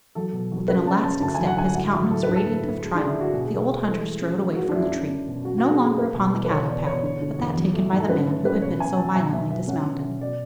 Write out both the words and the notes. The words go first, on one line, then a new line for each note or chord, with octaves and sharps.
With an elastic step--his countenance radiant of triumph--the old hunter strode away from the tree, no longer upon the cattle path, but that taken by the man who had been so violently dismounted.
F#3 A4
B2
F#3
C#3 B4
C#4 A5
F#2 A5
D2 A5
F#3 G#5
F#5
D2 G#5
A2 F#5
F#3 E5
A2 A4
D2 B4
A4
D2
D2
G#3
D3 D4
E4
G#3
F#4
B2 G#4
B2
A3
E3 A4
G#3
C#4
A3 G#4
F#2 F#4
D4
F#2 E4
C#4 D4
C#4
B2
F#2 F#4
F#4
F#2
G#4
F#2 A4
A3 B4
B2
E2
B4
B2 C#5
B3 D5
B2 C#5
D3
D3
E2
F#3
A3
G#2
A4
C#4 B4
A3 A4
C#4 B4
B2 C#5
B2 G#5
F#3 A5
B2 G#5
B2 E5
B3 E5
C#4 F#5
B2
B2
B2 D5